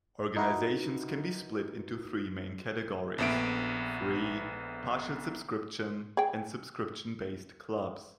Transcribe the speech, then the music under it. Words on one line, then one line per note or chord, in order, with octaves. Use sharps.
Organizations can be split into three main categories: free, partial subscription, and subscription-based clubs.
D#4 E4 F#4 A#4 B4
A#1 F2 B3 E5 D7
G#4 G5